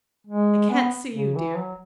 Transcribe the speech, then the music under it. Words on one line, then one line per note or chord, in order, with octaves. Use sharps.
I can't see you, dear!
G#3
B3
C#3
E3
F#3